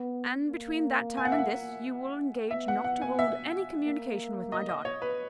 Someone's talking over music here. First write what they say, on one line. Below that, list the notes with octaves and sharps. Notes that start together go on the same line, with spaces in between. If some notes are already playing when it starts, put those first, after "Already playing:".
"And between that time and this, you will engage not to hold any communication with my daughter?"
Already playing: B3
A#3
G#5
F#5
E5
F#5
B3 E5
F#5
F#5
G#5
E5
A#3
D#5
D#5
C#5
B4